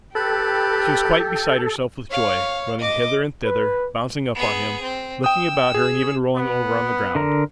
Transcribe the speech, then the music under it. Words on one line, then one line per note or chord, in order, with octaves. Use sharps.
She was quite beside herself with joy, running hither and thither, bouncing up on him, looking about her and even rolling over on the ground.
G4 A4 B4 G5 A5 B5
C#5 F5
D#5 D6
B4
B3 G#4
C4
G5 D#6 E6
G#4
B3
D3 A#4